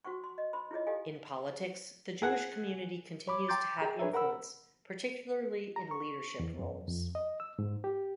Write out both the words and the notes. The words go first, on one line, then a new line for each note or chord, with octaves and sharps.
In politics, the Jewish community continues to have influence, particularly in leadership roles.
F#4 C5 F#5 C#6
C6
D#5
C5 B5 C6
E4 F4 G#4 C#5 D#5
G4 A4 D#5 F5 G#5
G#4 F#5
C#5 B5 D6
G5 A#5 C6 D6 G6 A6
G#4 G5 A#5
D4 G#4 B4 C#5 E5
A#4 F#5 B5 E6
A#5
C#6
E2
F#2
F2
D#5
E6
G#2
G4